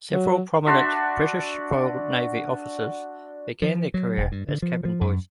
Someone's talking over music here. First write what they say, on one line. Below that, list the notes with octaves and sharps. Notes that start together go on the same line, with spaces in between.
Several prominent British Royal Navy officers began their career as cabin boys.
F#3
D4 F#4 E5 C6
F3
F#3
E1
G2
D3
F3
F3
F#2